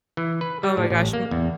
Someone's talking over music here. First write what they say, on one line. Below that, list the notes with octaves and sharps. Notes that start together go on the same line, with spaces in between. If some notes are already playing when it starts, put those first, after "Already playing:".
Oh my gosh, m
E3
B4
G3
A2
A1
A#3
E2